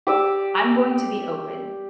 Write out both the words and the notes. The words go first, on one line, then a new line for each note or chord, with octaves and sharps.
I'm going to be open.
G4 D5 E6